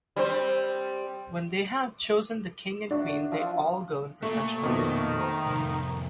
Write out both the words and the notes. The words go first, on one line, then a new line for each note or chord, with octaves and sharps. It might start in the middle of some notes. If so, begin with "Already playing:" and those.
When they have chosen the King and Queen they all go in procession.
G3 C4 C5
D4 E4 F#4
F3 C4 E5
A#2 A3
F2 B2 D#3
C5 A#5
C2 F2